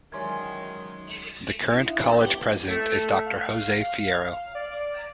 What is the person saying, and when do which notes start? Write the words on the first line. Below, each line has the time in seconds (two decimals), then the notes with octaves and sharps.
The current college president is Doctor Jose Fierro.
0.12 D#3 E3 F#3 G#3 C#4 D5 C6 G#6
1.73 D4 E4
1.87 E4 E5 F5
2.04 B3
2.21 G4
2.68 A3
3.27 F5
4.55 D5